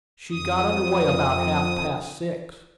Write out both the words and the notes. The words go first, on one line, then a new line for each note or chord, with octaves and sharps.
She got under way about half-past six.
F2 D#6